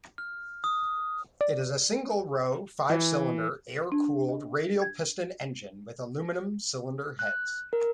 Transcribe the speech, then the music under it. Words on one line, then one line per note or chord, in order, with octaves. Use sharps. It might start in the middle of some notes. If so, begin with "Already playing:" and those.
It is a single-row five-cylinder air-cooled radial piston engine with aluminum cylinder heads.
F6
D#6
D5
E3
D4
D#5
G#6
F#6
A#4